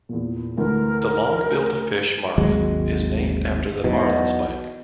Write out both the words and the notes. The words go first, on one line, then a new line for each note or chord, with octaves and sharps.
The long-billed fish marlin is named after the marlinspike.
E2 A#2
D2 E3 A#4
G#1 D#2 F#3 G#3
B1 E2 B2